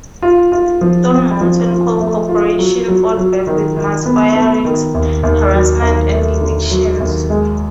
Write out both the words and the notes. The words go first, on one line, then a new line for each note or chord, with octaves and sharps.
Stone Mountain Coal Corporation fought back with mass firings, harassment, and evictions.
F4
F4
F3
C4
F3
F4
A3
F4
F#3
F#3
F#3
D#3
D#3
B3
B3
D#3
D#2
D#2
F#3
D#2
A3
D3
F#3
D#2
G#3